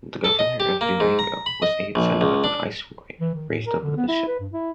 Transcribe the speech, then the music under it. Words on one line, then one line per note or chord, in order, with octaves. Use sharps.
The governor of Durango, with aid sent by the viceroy, raised a militia.
A4
D#5
G4
A#3
G#2
A#5
B5
D#5
A#1
C#2
D4
E3
D#3
A2
A#4
D3
B3
E4
B4
G2
E4